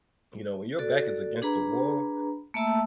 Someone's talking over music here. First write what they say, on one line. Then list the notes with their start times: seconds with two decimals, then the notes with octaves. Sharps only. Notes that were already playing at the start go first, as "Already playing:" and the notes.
you know, "When your back is against the wall,
0.79 F#4 A4 D5
1.42 D4 G#4 B4 A#5 B5
2.54 A3 A#3 E5 A5 B5 E6